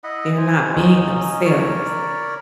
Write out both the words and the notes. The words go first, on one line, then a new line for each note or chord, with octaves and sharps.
they're not being themselves,
E4 D#5 F#5 B5
C5 G#5
F#3 C#4 D#4
A#4 C#5 D5 B5